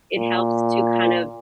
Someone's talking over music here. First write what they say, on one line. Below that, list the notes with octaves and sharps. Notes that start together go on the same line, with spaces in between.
it helps to kind of
A#2